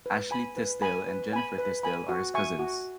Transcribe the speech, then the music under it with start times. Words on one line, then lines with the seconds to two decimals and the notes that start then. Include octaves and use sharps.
Ashley Tisdale and Jennifer Tisdale are his cousins.
0.06 B4
0.31 G#5 B5
0.57 B4
0.82 G#5 B5
1.07 B4
1.33 G#5 B5
1.58 B4
1.83 G#5 B5
2.09 F#4
2.34 E5 G#5 C#6
2.59 F#4